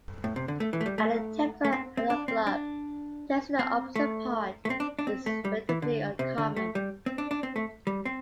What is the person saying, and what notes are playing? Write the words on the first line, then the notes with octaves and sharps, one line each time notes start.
At the typical adult club, dancing the "opposite part" is relatively uncommon.
A2
C3
D3
A3
E3
A3
G3
A3
A3
C4
C4
D4
C4
D4
C4
A3
A3
C4
D4
D4
C4
A3
G3
E3
D3
C3
D3
A3
G3
C4
D4
D4
C4
A3
G3
C4